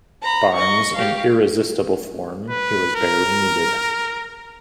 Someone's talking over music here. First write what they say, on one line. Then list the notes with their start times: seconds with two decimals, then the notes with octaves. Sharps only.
Barnes in irresistible form, he was barely needed.
0.22 A#5 B5
0.53 D#5 C#6
0.94 G4 F5
2.49 B4
2.95 A#4